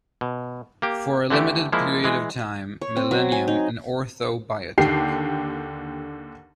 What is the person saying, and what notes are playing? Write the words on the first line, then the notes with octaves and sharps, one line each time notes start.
For a limited period of time, Millennium and Ortho Biotech.
B2
A#3 G4
D3 E3 A3 G4
F3 G#3 A#3 E4
E3 G#3
C#5
C4
F#3
G#5
D#4
D#2 D3 G4 C7